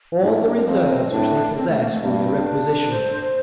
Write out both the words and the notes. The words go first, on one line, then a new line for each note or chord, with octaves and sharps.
All the reserves which they possess will be requisitioned.
A2 D4
E4
D4
C4
F2 C4
A2 D4
C4
A3
A#3
A3
G2 A#3
A#3
C4
D4
C5